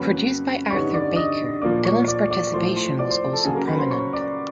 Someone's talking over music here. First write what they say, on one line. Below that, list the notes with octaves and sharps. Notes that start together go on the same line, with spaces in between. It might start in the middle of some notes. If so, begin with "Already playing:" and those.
Produced by Arthur Baker, Dylan's participation was also prominent.
Already playing: F2 C#3 F#3 A#3 C#4 B4 B5
G2 D3 G3 B3 D#4 C#5 C#6
D5 D6
D#5 D#6
A#2 F3 A#3 D5 D6
C#5 C#6
D5 D6
D5 D6
A2 F3 A3 C5 C6
C5 C6
D5 D6
C5 C6
A4 A5
C#3 F#3 A#3 G#4 G#5
A#4 A#5
B4 B5
C5 C6
C#5 C#6
D5 D6